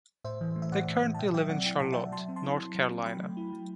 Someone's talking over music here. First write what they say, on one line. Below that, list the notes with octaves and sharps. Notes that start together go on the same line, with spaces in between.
They currently live in Charlotte, North Carolina.
A2 C5 E5
E3
A3
E5
A2 D5 F#5
A2
E3
A5
B2 E5 G5
F#3 E5 G5
C4 D5 F#5
E4 G5
B2 A5
E5 G5
F#3
F#3 A5 C6
C4
A5 C6
E4
F#3
F#3
C4
F#3 G5 B5
A3
E4
F#3